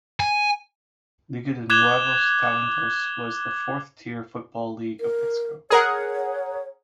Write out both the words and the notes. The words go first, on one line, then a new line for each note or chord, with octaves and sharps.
Liga de Nuevos Talentos was the fourth–tier football league of Mexico.
G#5
D6 F#6 G#6 E7 F7 G7
A#4
G#4 A#4 C#5 F#5